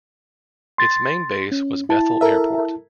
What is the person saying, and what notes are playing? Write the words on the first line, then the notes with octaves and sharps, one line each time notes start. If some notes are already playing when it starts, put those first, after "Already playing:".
Its main base was Bethel Airport.
C6 A6
C#4
E4 A5
A4 A#4 E5